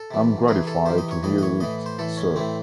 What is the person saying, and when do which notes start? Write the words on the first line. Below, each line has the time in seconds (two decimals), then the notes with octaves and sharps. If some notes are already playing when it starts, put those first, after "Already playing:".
I am gratified to hear it, sir.
Already playing: A4
0.11 C3 E3
0.48 C3 E3 G#4
0.67 A4
0.86 C3 E3 C5
0.98 D#5
1.11 C#5
1.23 A2 E3 D#5
1.38 D#5
1.43 C#5
1.60 A2 E3 D#5
1.86 C5
1.99 A2 E3 A4
2.17 C#4
2.36 A2 E3 C4